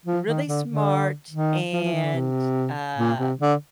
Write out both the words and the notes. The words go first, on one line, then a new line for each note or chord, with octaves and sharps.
Really smart and, um,
F3
D#3
D3
D3
D#3
F3
F3
D#3
D3
C3
A#2
C3
D3